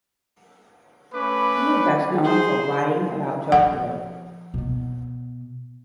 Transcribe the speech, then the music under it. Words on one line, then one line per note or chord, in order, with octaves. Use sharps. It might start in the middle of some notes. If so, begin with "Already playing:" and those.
He is best known for writing about Tokyo.
A3 C#4 B4 B5 D6
G#4 C5
F3 F#5
B2 B3